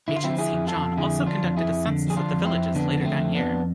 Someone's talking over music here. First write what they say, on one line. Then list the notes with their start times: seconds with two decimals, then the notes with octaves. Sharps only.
Agent Saint John also conducted a census of the villages later that year.
0.08 D3 E4
0.16 F4
0.24 C4 E4
0.30 F3
0.38 E4 G#4
0.52 F2
0.67 F4 A4
0.75 F2
0.97 D3 E4 G#4
1.20 F3
1.27 D4 F4
1.42 F2
1.57 E4 G#4
1.64 F2
1.87 D3
2.08 F3 G#4
2.16 D4 F4
2.31 F2
2.45 C4 E4
2.54 F2
2.75 D3 B3 D4
2.97 F3 B3
3.05 A3 C4
3.20 F2
3.34 B3 D4
3.42 F2